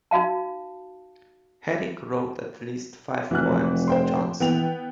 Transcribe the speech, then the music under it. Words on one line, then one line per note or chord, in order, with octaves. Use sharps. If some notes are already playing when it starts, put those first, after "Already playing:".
Herrick wrote at least five poems to Jonson.
D#4 F#4 F5 A5
F1 E3 F#4 F#6
C5 G5 C6
E3 B3 G5 F7